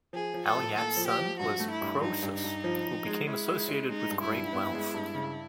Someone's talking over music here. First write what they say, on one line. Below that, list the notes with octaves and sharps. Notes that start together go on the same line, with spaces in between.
Alyattes' son was Croesus, who became associated with great wealth.
F3 G#4
F3
A4
A2
A#3 A4
F3
G4
F3
G2 F#4
A3
E4
G2
G2 D#4
G2
D#4
G2
F3
F3
G#3
G#3 E4
G#3
G#3
G#3 D#4
G2
E4
G2
B3
G#3
G2
C#3